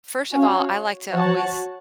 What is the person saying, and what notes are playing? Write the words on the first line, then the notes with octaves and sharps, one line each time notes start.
First of all, I like to always
C#4 F#4 C#5 F5
F3 F#4 C#5 F#5 A5